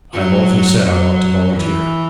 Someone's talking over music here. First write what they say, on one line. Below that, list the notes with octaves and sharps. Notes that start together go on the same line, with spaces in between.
I have often said I ought to volunteer.'
F#3
F#3
E3